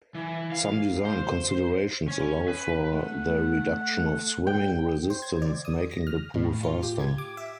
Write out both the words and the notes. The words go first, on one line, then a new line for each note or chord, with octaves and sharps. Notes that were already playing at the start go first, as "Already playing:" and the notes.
Some design considerations allow for the reduction of swimming resistance making the pool faster.
E3
F5
C5
C#4
B4
A3 F#5
G5
C5
G#6
D5
D#6
A#6
F6
A2
F4
G4
G#6
D6
E5